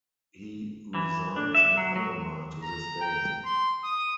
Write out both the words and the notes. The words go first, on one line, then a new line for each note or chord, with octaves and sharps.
He resides in Panama to this day.
E3
D4
E5
F#3
F#3
A#5
G5
C6
D#6